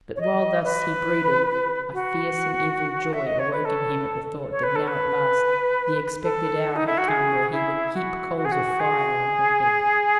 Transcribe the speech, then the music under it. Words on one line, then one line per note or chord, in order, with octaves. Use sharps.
But, while thus he brooded, a fierce and evil joy awoke in him at the thought that now at last the expected hour had come when he would heap coals of fire on her head.
C#5
D#5
B4
F#4
E5
D#5
C#5
B4
A4
C#5
B4
A4
B4
A4
D#4
E4
F#4
G#4
E4
F#4
F#4
G#4
F#4
G#4